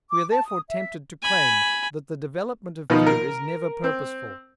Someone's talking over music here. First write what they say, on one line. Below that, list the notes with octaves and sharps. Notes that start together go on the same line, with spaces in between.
We are therefore tempted to claim that the development of fear is never purposeful.
D6
A5
D#6
E5
G#5 B5
B2 D#3 F3 D#4
A#4
C4